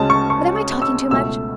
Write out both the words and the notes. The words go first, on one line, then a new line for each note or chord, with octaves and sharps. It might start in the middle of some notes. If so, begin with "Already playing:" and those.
But am I talking too much?
Already playing: D2 C#3 G#3 A5
C#6
C#6
E6
C#2 B2 A3 E6